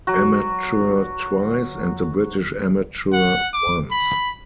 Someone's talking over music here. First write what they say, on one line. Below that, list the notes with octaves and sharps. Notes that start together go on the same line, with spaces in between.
Amateur twice, and the British Amateur once.
F#3 F#4
F#5
D6
B5